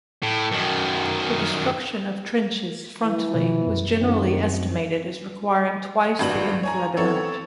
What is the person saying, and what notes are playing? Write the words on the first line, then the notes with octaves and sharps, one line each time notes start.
The destruction of trenches frontally was generally estimated as requiring twice the enfilade amount.
A2
F#2 D#3
E3
B2 D#3 F3
F#2
F#2 D#3 F#3 C4
G#1 G2 F#3 F#7
C#5 G#5 A#5
B3 C4 E4 A4 C#5